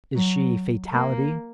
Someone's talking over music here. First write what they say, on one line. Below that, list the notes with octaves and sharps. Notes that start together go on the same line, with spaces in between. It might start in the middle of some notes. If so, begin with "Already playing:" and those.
Is she Fatality?
F#3
A#3